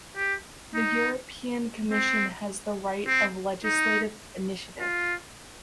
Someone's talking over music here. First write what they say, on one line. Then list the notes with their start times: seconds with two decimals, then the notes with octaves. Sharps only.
The European Commission has the right of legislative initiative.
0.17 G4
0.75 D#4
1.91 C4
3.07 C4
3.64 D#4
4.80 F4